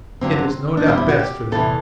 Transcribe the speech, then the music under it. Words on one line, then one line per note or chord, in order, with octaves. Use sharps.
It is no doubt best for them.
G2 D3 F#3 C4
D4
E2 B2 G3 C4
E4
F#4
G4
E2 C3 E3 A4